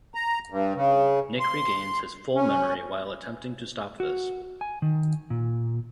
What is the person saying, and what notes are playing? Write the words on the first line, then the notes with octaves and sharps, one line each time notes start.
Nick regains his full memory while attempting to stop this.
A#5
G2
C#3
C6
C#4
F#4
G#5
D#3
A#2